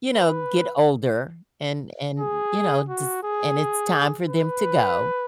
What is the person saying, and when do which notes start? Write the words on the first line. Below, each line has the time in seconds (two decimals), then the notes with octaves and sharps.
you know, get older, and, and you know, just, and it's time for them to go,
0.12 B4
2.19 G#4
2.89 F#4
3.24 G#4
4.27 B4